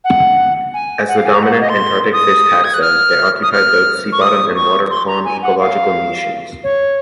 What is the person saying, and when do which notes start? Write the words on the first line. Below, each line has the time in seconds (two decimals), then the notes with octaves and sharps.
As the dominant Antarctic fish taxa, they occupy both sea-bottom and water-column ecological niches.
0.04 F#5
0.74 G#5
1.08 F#5
1.17 F5
1.26 G#5
1.34 A#5
1.43 F#5
1.52 F5
1.61 D#5
1.69 C6
2.13 D#6
2.64 G#6
2.74 F#6
2.82 F6
3.43 D#6
3.52 F6
4.12 C#6
4.21 D#6
4.56 C#6
4.91 C6
5.07 A#5
5.25 G#5
5.42 F#5
5.60 F5
6.64 C#5